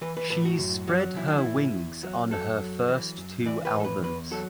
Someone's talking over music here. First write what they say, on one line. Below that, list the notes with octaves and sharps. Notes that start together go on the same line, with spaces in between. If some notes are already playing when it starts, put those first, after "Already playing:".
She’s spread her wings on her first two albums.
E3 B4
B4
A2 B4
F#4
F#2
F#3
E3 E4
D4
E4
A2
E2
F#3
F#2 A4
F#3
E3
F#2
E3 D5
B4
A2
A4
B4
E2 B4
F#3 A4